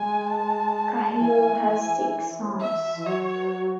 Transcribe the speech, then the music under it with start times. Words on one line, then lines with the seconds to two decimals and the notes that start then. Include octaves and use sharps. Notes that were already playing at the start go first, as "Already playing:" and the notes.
Cahill has six sons.
Already playing: G#3 G#5
0.26 A5
1.20 E3 G#5
1.66 G#5
2.61 E5
2.95 E3
3.06 F#3 C#5